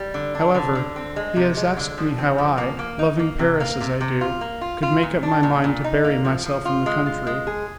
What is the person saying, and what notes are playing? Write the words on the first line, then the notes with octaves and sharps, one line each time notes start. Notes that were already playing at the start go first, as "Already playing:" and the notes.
However, he has asked me how I, loving Paris as I do, could make up my mind to bury myself in the country.
Already playing: G3
D3
D4
D3
D3
C4
G#3
C3
G#3
D3
F3
C4
F3
A#3
A#3
D#4
A#3
C3
A#3
C3
C3
F4
A#3
F4
F4
A#2
D4
A#2
A#2
D#4
A#3
F3
F3
F4
G#3
F4
G#3
G#4